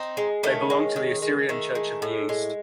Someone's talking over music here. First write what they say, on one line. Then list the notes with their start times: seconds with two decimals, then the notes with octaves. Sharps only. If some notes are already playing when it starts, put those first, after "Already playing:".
They belong to the Assyrian Church of the East.
Already playing: C4 D#4
0.17 G#3
0.43 D#3 A3 C#4
0.70 G#3
0.96 D#3
1.22 G#3
1.49 D#3 A3
1.75 G#3
2.02 A2
2.29 G#3